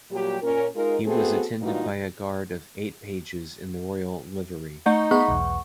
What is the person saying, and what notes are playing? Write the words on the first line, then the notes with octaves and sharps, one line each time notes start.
He was attended by a guard of eight pages in the royal livery.
A#2 F#3 G3 G4
A#2 C#4 A#4
G#3 D#4 F4 A#4
A3 B3 C4 F#4 G#4 A4
G2 A#2 E3 D#4 F4 F#4
A3 D#4 A#5 C#6 G6
B3 G#4 D#5 E5 F#5 B5 C#6
B1 E2